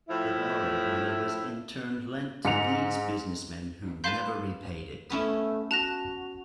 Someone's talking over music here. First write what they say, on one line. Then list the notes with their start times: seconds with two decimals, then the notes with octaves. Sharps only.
The borrowed money was in turn lent to these businessmen, who never repaid it.
0.08 A2 F3 E4
2.45 G#2 C#7 F7
4.04 B4 F5 A5 B5 C6 G6
5.10 A3 B3 C#4 E4
5.71 F#4 A5 F#6 A#6 F7